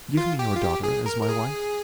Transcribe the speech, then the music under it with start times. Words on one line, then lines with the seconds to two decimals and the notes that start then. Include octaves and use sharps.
Give me your daughter as my wife.'
0.17 F4
0.39 G4
0.55 F4
0.62 G4
0.84 G#4
1.06 A#4
1.21 A#4
1.29 G#4